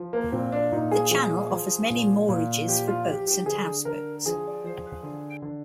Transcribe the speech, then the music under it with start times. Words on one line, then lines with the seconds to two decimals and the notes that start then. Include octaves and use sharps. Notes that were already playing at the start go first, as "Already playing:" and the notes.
The channel offers many moorages for boats and houseboats.
Already playing: F3
0.13 A#3
0.32 A#2 C4
0.52 D4
0.72 A#2 D#4
0.91 G#4
1.11 F3 G#4
1.50 F3
1.90 A#2
2.29 A#2
2.68 F3 G4
2.88 F4
3.07 F3 G4
3.27 G4
3.46 D3 G#4
3.85 D3 A#4
4.26 F3 G#4
4.64 F3
5.03 D3
5.42 D3